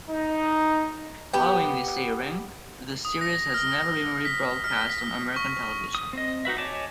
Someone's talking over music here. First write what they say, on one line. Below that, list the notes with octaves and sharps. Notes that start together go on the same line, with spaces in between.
Following this airing, the series has never been rebroadcast on American television.
D#4
B3 G4
D#6
A#6
F6
B6
F6
B6
C#6
D#6
C4 D#5
D#4 F#4 B4 E5
C#5 D#5 G#5 A5 D6